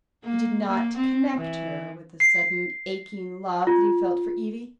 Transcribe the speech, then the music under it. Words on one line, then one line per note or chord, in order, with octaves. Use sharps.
He did not connect her with the sudden aching love that he felt for Evie.
A#3
A#3
C4
E3
C7
F4